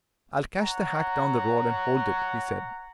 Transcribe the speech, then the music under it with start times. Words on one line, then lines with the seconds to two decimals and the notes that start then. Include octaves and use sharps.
"I'll catch the hack down the road and hold it," he said.
0.59 C#5 F#5 A#5